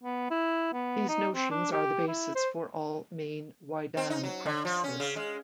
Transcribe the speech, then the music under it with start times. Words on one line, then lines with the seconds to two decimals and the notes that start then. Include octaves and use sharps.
These notions are the basis for all main "waidan" practices.
0.03 B3
0.31 E4
0.73 B3
1.09 D#4
1.35 C4
1.51 D4
1.72 G4
2.08 E4
2.35 C5
3.97 C4
4.10 D#4
4.24 F#3
4.46 D3
4.65 F3
4.84 C#4
5.00 C#3
5.16 G#3